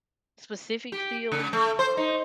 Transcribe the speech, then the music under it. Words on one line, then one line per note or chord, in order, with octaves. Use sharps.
specific fields?
G4
C#3
A3
C5
D#4